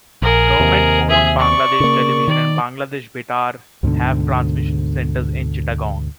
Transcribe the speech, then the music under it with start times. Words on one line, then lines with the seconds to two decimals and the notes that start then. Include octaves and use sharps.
Government owned Bangladesh Television and Bangladesh Betar have transmission centres in Chittagong.
0.22 A#1 G#4 A#4
0.60 D#2 C3
1.09 G#4 E5
1.38 D5 C#6
1.80 C#3 A#3
2.28 D#3 D5
3.83 D2 G#2 B2 D3